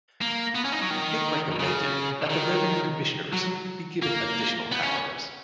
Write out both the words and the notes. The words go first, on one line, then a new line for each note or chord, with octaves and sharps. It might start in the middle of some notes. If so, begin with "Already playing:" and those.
It recommended that the Revenue Commissioners be given additional powers.
A#3
B3
C#4
D#4
F#3
D#3
C#3
D#3
F#3
A#3
B3
C#4